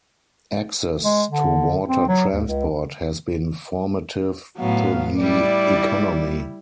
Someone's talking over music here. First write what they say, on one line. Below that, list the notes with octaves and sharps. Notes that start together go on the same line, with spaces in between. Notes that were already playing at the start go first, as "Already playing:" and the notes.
Access to water transport has been formative to the economy.
G#3
D3
C4
F#3
D#2
C#2
A2 F#3 B3 F5
G3 E4 D5